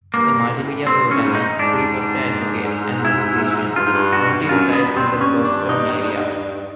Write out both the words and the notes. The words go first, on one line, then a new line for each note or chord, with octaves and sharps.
A multimedia programmer, free software advocate and musician, Monty resides in the Boston area.
G2 A#3
A2
A2
G2 C4
G2
A2 C#4
G#2
D#4
G#2 D4
E4
G2 F4
G#2
G2
F#4
G2
F#2 F4
B3
G2
C4
C#4
D4
D#4